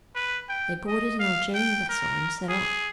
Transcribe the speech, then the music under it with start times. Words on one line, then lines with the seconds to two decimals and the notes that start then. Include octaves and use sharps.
They boarded an Algerian vessel and set off.
0.15 B4
0.49 G5
0.88 D#5
1.19 F5
1.54 G5
1.89 A#4
2.49 G#4